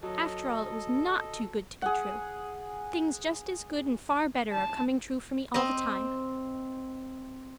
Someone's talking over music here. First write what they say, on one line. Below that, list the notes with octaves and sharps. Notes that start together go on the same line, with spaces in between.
After all, it was NOT too good to be true . . . things just as good and far better are coming true for me all the time.
F#3 A4 D#5
G#4 F#5
A5
C4 D#5